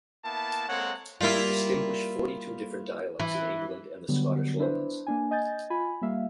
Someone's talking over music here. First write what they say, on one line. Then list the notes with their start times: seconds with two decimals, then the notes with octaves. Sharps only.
He distinguished forty-two different dialects in England and the Scottish Lowlands.
0.25 A#3 B3 E4 A5
0.69 G#3 A#3 C4 A4 C#5 F#5
1.21 G3 A#3 E4 F4
3.19 E3
4.09 D3 F#3 G3 B3
4.59 D4 E4 B4 C5
5.07 A#3 D4 G#5
5.31 D#5 G#5 G6 A6
5.70 F4 G#5 B5
6.02 G3 A#3 E5 F5